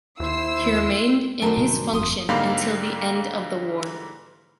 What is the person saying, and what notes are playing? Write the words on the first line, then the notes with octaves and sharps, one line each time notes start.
He remained in his function until the end of the war.
D#2 E4 C5 E6 C7
F#2 D#3 D4 A#4 C5 A#5
A2 C3 G3
G1 F2 C6 D#6
G#2 D3 G3 A#3 F5 B5